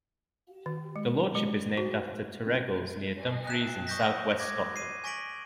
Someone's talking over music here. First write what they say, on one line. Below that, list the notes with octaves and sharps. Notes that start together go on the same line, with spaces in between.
The Lordship is named after Terregles, near Dumfries in south west Scotland.
D#3
G#3
G#3
F#4
F#6 E7
C#6 D#6 G6 A#6 B6
G#5 E6
D6 G#6 A#6
C7 D#7
G#5 C#6 A#6 B6 D7 F#7